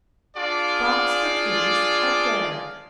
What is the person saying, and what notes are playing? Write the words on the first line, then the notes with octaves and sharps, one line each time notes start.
'Box for kiddies at Garrick.
D4 F4 G#4 D5